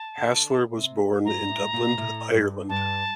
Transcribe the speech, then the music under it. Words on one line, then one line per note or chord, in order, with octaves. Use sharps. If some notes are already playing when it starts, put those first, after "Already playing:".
Hasler was born in Dublin, Ireland.
Already playing: A5
D3
C3
G2 A#5
A2
A#2
A2
G2
G2 A5